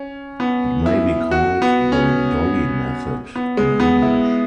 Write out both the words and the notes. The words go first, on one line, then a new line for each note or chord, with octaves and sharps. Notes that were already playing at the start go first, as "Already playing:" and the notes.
It may be called the "dolly method" in English.
Already playing: C#4
B3
E4
F#4
B3
C#4
B3
G#3
B3
E4